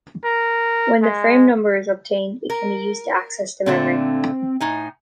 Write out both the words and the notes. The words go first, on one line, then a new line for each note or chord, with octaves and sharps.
When the frame number is obtained, it can be used to access the memory.
A#4
G#3
A#4
A#2 D3 A3 C4
A2 D#4 G#5